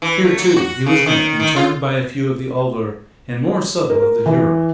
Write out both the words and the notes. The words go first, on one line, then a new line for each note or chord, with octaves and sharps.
Here, too, he was met and turned by a few of the older and more subtle of the Hurons.
E3
A3
F#3
F#4
C#3
D#3
D#3
F4
A#4
E3